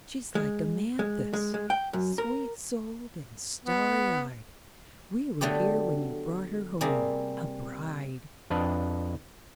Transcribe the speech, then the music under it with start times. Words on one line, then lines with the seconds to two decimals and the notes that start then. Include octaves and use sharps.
She's like Amanthis,--sweet-souled and starry-eyed; we were here when you brought her home, a bride.
0.35 G#3
0.99 G#3
1.33 G#3
1.54 G#3
1.70 G5
1.93 F#2
2.18 A#4
3.65 B3
5.41 D3 F#3 A3 B3 G4
6.81 C3 G3 A#3 G#4
8.50 F2 D4 B4 D#5 A5